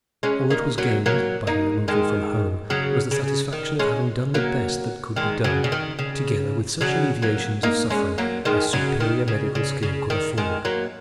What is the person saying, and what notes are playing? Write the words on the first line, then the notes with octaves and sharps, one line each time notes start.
All that was gained by the removal from home was the satisfaction of having done the best that could be done, together with such alleviations of suffering as superior medical skill could afford.
G#3 C#4
A#3 D#4
F#3 A#3
F#3 A#3
A#3 D#4
D#3 G#3
C#3 F#3
C#3
D#3
G#3 C#4
F#3 A#3
D#3 G#3
C#3 F#3
C#3
D#3
C#3
C#3 F#3
F#3 A#3
A#3 D#4
G#3 C#4
F#3 A#3
D#3 G#3
C#3 F#3
D#3
C#3
C#3
C#3
D#3
D#3 G#3
F#3 A#3